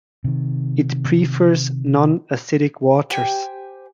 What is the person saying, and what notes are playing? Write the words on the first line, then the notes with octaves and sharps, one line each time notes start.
It prefers non-acidic waters.
C3 D#3
G4 C5 G5 G#5